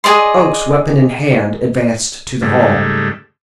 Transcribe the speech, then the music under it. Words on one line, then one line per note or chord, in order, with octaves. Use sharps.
Oakes, weapon in hand, advanced to the hall.
G#4 D5 D#5 C6
G#2 C#3 G3 A3